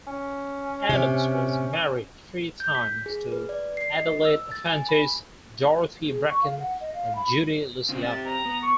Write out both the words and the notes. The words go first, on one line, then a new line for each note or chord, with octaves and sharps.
Adams was married three times, to Adelaide Efantis, Dorothy Bracken, and Judy Luciano.
C#4
C3
G6
B6
G#4
B4
D5
C7
D#5
E6
A6
G#5
B5
G#4
C#6
F5
F#5
D#5
F5
B5
C#3 C4 F4
C4 G4 A6
A#5
B3
C#6